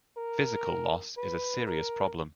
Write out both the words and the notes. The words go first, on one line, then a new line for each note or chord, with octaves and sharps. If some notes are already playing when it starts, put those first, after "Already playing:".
Physical loss is a serious problem.
A#4
B4
A#4